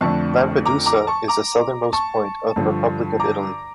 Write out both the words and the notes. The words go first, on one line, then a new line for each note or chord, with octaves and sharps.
Lampedusa is the southernmost point of the Republic of Italy.
F2 D3 A3 D4 A5 C#6
A#5 D6
A#5 D6
A5 C#6
A#5 D6
A5 C#6
G2 D3 F3
A#5 D6